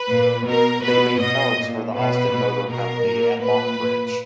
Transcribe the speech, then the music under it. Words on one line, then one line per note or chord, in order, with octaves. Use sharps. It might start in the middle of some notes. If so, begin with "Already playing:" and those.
They made parts for the Austin Motor Company at Longbridge.
Already playing: B4
A#2
B2 A#4
B2 B4
B2 D#5
A#2
B2 B4
B2
B2 A#4
A#2
A#2 B4
A#2